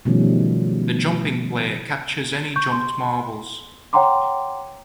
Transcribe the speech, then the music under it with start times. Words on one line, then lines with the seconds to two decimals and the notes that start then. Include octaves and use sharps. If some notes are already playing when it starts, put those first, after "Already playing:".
The jumping player captures any jumped marbles.
0.05 B2 D#3 F3 G3 A3 C#4
2.56 C#6 G6
2.72 C6
3.93 C#5 F#5 G5 A#5 C6 D6